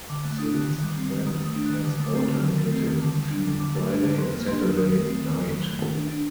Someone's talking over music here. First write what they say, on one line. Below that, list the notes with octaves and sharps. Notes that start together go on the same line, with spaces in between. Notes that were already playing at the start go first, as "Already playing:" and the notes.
Since then it has alternated between Friday and Saturday night.
D3 D6
A3 F#6
D4 D#6
D3 F#6
D#3
G3
C4
D#3
D#3 D#6
A3 D#6
D4
F#6
D#3
D3 D#6
A3
D6
C4
D3
D#3
A3
C4
D#3
D3
G3
D4
D3
D3 D6
A3
D4
D3
F#3 C6
A#3
D4 C6
F#3
D#3 D#6
A3
C4
D#3
D#3
F#3
A3
D#3
D4
D4